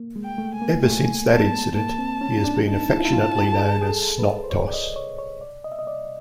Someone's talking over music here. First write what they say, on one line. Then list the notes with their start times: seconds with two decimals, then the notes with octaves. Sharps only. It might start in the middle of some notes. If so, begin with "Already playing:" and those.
Ever since that incident, he has been affectionately known as 'Snot Toss'.
Already playing: A#3
0.16 G#3
0.24 G5
0.38 A3
0.55 G#5
0.62 A#3
0.84 A3 G#5
1.30 B3 A5
1.76 A#3 A5
1.98 C4
2.21 C#4
2.44 D4
2.67 D#4 A5
2.90 E4
2.97 F4
3.05 E4
3.13 F4
3.36 G4
3.53 A4
3.59 G#4
3.82 G#4
3.89 A4
4.19 B4
4.44 C5
4.50 C#5
4.68 D5
4.73 D#5
4.96 C#5
5.18 C#5
5.41 D5
5.64 D#5
5.72 E5
5.79 D#5
5.87 D5